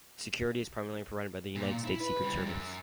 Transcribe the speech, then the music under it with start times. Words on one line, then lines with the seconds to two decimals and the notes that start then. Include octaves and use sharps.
Security is primarily provided by the United States Secret Service.
1.56 A#2
1.85 E4
2.01 B4
2.22 C#3 G3
2.46 F#2